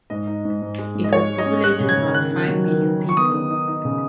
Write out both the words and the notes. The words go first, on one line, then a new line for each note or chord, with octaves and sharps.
It was populated about five million people.
G#2 D#5
D#4
G#2
G#2
G#3
G#2
D#5
G#3 C#5
G#3
D#5
C#4
C#4 F#6
C#3
G#6
C#3
D#3 F#6
D#3
F#3
D#3
D#3
D#3
C#6
B3 D#6
D#4
D#4
D#4
C#3